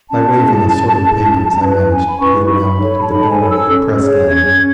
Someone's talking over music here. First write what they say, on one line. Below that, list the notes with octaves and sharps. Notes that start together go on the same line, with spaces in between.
By waving assorted papers I managed to get around to the door of the press gallery.
C#4 A5
E4 G#4
C#4
E4 G#4
C#4
E4 B4
C#4 G#5
B5
E4 B4 C#6
D#4 B5
A4 C#5
A5
D#4 B5
A5
G#5
A4 C#5
E6
C#4
G#4 C#5
C#4 G#6